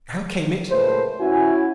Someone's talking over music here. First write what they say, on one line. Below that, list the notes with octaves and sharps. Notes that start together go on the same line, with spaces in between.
How came it?
C#2 A#2 A3 A4 B4 C5
C#4 E4 F#4 G#5